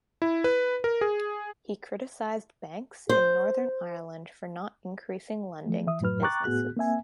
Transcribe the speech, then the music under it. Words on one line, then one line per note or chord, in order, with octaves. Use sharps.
He criticised banks in Northern Ireland for not increasing lending to businesses.
E4
B4
A#4
G#4
C5
F3 A3
E3 E5 D#6
F#2 A2 F#3 B4 F6
G5 A#5 C#6 D6 F#6 A6
A2 B3 F#4 G#4 F#6
A#3 C4 E5 G#5